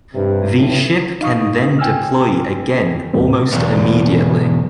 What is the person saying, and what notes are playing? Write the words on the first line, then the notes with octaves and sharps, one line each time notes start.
The ship can then deploy again almost immediately.
G2 C3
B1 A2
D#4 F5 C#6 D#6
G5 G#5 E6 F6
D#2 A2 E3 G3 B3 C4
B1 E2